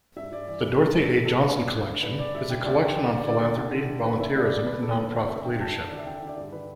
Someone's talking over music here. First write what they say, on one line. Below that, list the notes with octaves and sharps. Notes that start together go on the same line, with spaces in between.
The Dorothy A. Johnson Collection is a collection on philanthropy, volunteerism, and nonprofit leadership.
G2 E5
G2 D5
E3 D5
E3 B4
G2 A4
G2 B4
G2 A4
G2 A4
G2 B4
G2 D5
G2
D3
G2 B4
D3 D5
G2 E5
D3 G5
D2 D5
D3 G5
D3 D5
D2 D5
D3 D5
D3
D3
D3
D3
D3 B4
D3 E5
D3 D5
E2 D5
E2 B4
E2 A4
D3 B4
D2 D5
D2 E5
D3 G5
D2 A5
D3
D3 D5
E5
D3 G5
E5
D3 D5
G2
D3 B4